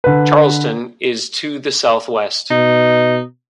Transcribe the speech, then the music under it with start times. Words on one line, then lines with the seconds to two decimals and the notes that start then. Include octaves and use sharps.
Charleston is to the southwest.
0.04 D3 B4
2.50 B2 D#4